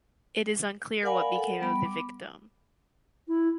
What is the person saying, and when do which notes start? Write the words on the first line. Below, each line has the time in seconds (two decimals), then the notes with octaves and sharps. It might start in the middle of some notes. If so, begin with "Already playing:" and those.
It is unclear what became of the victim.
1.03 A#4 D5 F5 F#5 G#5 B5
1.36 A4 F#5
1.60 G3 B3 B5
1.85 D6
3.27 E4